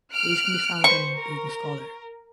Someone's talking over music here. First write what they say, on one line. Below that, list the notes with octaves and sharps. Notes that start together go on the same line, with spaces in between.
These can be found on Google Scholar.
F6 F#6 D7
B4 C5 C#6
A#4